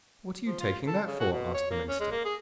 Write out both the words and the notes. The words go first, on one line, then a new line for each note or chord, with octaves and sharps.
'What are you taking that for?' asked the minister.
F3
F4
A4
C#3
F#4
B2
C#5
A#3
C#4
G#3
A#3
G#4